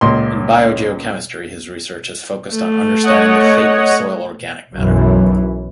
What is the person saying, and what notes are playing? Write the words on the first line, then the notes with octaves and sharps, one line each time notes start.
In biogeochemistry his research has focused on understanding the fate of soil organic matter.
C#2 A#2 C6
A3
C#5 D#5 F#5
B1 F#2 E3